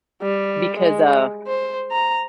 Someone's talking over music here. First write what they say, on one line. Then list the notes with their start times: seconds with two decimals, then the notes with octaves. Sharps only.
Because, uh
0.22 G3
0.79 G#3
1.47 C5
1.92 A#5